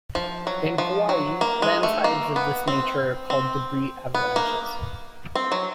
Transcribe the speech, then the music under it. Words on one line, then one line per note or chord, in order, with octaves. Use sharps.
In Hawaii, landslides of this nature are called debris avalanches.
F3
F#3
F3
F#3
A#3
G#3
A3
A#3
B3
C4
C4
B3
A#3
C4
F#3